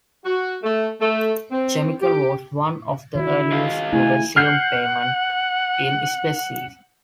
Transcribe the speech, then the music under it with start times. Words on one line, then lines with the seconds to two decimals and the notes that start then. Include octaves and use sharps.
Chemical was one of the earliest to resume payments in specie.
0.25 F#4
0.64 A3
1.00 A3
1.51 C4
2.02 G4
3.15 D#3 E4 F#4
3.52 G#4 D#5 F5
3.93 A3 E4 G#5
4.36 F#5 F6 G6 C7